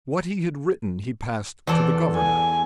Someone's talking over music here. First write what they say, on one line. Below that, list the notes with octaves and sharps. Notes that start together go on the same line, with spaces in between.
What he had written he passed to the governor.
E2 A4 D5
G#5